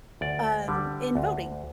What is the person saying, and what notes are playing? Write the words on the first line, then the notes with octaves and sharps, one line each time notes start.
um, in voting.
D2 D5
D3 G3
D2